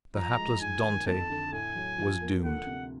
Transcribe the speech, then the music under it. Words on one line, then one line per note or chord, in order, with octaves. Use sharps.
The hapless Dantes was doomed.
F3 A#5
G#3
G#2 G#5
D#3
F2 A5
D3
A2 G#5
F#3
F3
A#3
D2 F#5
C3